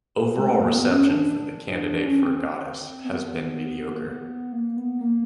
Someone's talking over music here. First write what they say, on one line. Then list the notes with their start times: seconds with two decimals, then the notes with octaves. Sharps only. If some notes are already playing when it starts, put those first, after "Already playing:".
Overall reception for "The Candidate for Goddess" has been mediocre.
0.37 G#3
0.48 A3
0.59 A#3
0.75 B3
0.91 C#4
1.08 D4
1.96 D4
2.06 C#4
2.22 C4
2.38 C4
3.04 B3
3.94 A#3
4.03 B3
4.53 A#3
4.77 B3
5.01 A#3